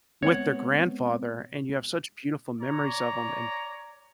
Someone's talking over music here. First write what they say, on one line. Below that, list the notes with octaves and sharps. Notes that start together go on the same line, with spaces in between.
with their grandfather, and you have such beautiful memories of him, and,
G#3 B3 C4 C#5 F#5
C#5 D5 A#5